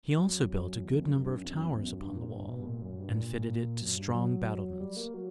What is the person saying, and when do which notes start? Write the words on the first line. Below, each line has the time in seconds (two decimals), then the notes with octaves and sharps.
He also built a good number of towers upon the wall, and fitted it to strong battlements.
0.17 F#2
0.50 F#2
0.84 E2
0.99 F#2
1.16 F#2
1.25 G2
1.33 F#2
1.44 E2
1.49 F#2
1.66 E2
1.82 F#2
2.00 G2
2.16 A#2
2.32 G2
2.49 B2
2.60 G2
2.65 A#2
2.82 F#2
2.99 G2
3.15 A#2
3.81 F#2
3.97 G2
4.14 F#3
4.80 G3
4.97 A#3
5.14 F#3